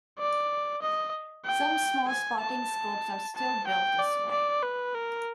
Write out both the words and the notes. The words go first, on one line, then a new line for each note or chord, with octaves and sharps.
Some small spotting scopes are still built this way.
D5
D#5
G5
G#5
A5
A5
G5
D5
D5
B4
A#4